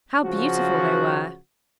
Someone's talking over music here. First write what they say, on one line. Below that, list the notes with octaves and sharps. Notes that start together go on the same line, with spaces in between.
How beautiful they were!
C#3 F3 F#4